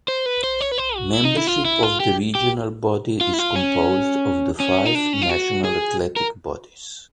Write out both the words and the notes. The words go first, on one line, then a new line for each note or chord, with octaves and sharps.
Membership of the regional body is composed of the five national athletics bodies.
C5
B4
C5
C#5
B4
C5
F#4
E4
D#4
E4
F4
E4
F4
G4
G4
F4
E4
F4
C#4
C#4
D#4
D4
C#4
F4
F#4
G#4
A#4